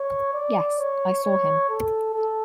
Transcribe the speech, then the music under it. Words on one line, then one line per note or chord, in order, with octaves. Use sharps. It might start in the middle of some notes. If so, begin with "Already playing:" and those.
Yes, I saw him.
Already playing: C#5
D5
C#5
C#5
A4
A4